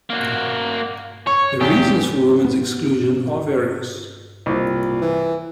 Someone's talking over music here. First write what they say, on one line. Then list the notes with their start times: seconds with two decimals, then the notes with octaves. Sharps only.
The reasons for women's exclusion are various.
0.10 A#3 F#4
1.27 C#5 C#6
1.61 E2 G4
2.45 B3
4.46 C2 A#2
5.01 E3